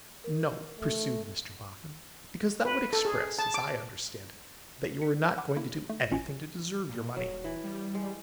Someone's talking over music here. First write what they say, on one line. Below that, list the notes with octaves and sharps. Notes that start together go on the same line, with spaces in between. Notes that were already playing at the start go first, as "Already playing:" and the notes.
'No,' pursued Mr Boffin; 'because that would express, as I understand it, that you were not going to do anything to deserve your money.
A#4
A3
B4
A4
G#4
A5
D6
B6 C#7
F#5 B5 D6
A#3 E4
A3
A1 C#4 F4 F#4 G#5
A#2
D#1 F#3
E3
G3
G#3